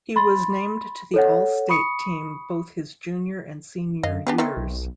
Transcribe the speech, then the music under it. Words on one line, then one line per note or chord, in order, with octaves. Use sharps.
He was named to the All-State team both his junior and senior years.
B5 C6 A6
A4 C#5 F#5
B5 C#6 D#6 C#7
F#2 D#5 F5
B3 D4 G4 G#4
D#3 A3 C4
B1